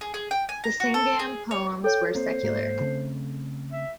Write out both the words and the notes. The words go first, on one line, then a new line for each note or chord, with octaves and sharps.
The Sangam poems were secular.
G#4
G#4
G5
G#5
A#5
F#4
A4
G#4
C#5
A4 C#5 G5
A#3 C4 C5
G#2 A#3
C#3 A3 C4
E5